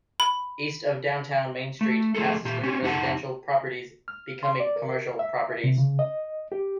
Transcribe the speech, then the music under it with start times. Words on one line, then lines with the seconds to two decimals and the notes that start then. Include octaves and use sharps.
East of downtown Main Street passes through residential properties becoming commercial properties.
0.20 B5
1.81 A3
2.15 F3 A3 G#4 A4
2.45 A#2 G4
2.63 C4 C#4
2.82 F2 D#4 F#5 A5
4.08 F6
4.43 C6
4.60 D5
4.76 A#4
5.19 E5
5.64 C3
5.78 C#3
5.99 D#5
6.52 G4